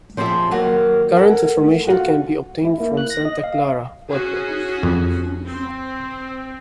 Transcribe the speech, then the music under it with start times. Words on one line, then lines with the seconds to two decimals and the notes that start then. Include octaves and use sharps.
Current information can be obtained from Santa Clara Pueblo.
0.17 F3 C4 G4 G#4 E5
0.51 D#3 F#3 A#3
1.16 A4 A#4 F#5
1.87 F4 F#4
2.65 E4
2.80 A#3
2.97 F#6
3.10 A#6
3.25 D#5
3.44 F5
4.09 C#4 F#4 G#4
4.83 F2
5.45 C4